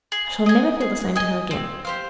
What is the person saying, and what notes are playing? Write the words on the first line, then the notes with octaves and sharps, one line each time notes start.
I shall never feel the same to her again.
G#4
D#5 G#5
G#4
D#5 G#5
C4
G4 C5 F5